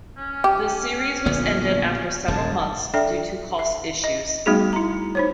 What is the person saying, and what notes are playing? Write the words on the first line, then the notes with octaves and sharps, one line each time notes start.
The series was ended after several months due to cost issues.
C#4
G4
A#1 D3 B3
E1 F#2 A5
D4 A4 D5 E5 G5
E5
D#5
G3 A3 B3 D#4 F#4 G#4
E4 A#5
D#4 C5 C#5